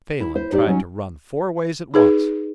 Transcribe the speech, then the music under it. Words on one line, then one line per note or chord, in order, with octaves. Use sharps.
Phelan tried to run four ways at once.
E4
E4 C5
D#4 G4 C5 D5
F#3 C#4 D#4
D#4 G#4 B4